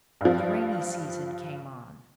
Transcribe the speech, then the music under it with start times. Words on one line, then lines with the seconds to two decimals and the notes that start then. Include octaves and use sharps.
The rainy season came on.
0.21 G2 F3